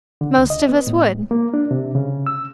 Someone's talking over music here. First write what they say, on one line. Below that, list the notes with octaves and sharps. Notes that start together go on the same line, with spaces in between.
"Most of us would."
D3
C#2
D#5
B3
A2
A#3
D4
C3
C#3
E6